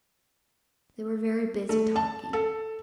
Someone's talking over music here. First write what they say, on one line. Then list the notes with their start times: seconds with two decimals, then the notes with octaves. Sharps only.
They were very busy talking.
1.69 A3
1.96 A5
2.33 A4